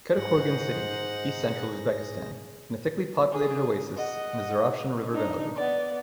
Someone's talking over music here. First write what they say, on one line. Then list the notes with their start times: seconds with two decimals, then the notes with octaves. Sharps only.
Kattakurgan, city, east-central Uzbekistan, in a thickly populated oasis in the Zeravshan River valley.
0.17 G#2 D#4 G#4 C5 F#5 A#6
3.32 G#4
3.97 D#5 F#5
5.10 D4 D#4
5.56 B3 D5